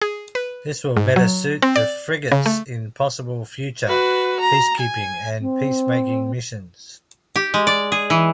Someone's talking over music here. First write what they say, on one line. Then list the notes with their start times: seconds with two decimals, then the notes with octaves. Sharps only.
This will better suit the frigates in possible future peacekeeping and peacemaking missions.
0.02 G#4
0.35 B4
0.97 G#2
1.16 F#3
1.62 C4
1.76 D5
2.32 C#3
2.46 A3
3.88 F#4 B4
4.41 A#5
4.80 G#5
5.41 C4
7.36 G4
7.54 G#3
7.67 D5
7.92 G#4
8.10 E3